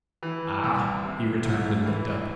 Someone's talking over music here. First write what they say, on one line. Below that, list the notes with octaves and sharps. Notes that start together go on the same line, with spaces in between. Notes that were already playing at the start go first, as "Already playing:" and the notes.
"Ah!" he returned, and looked up.
E3
C2
C3
C2
E3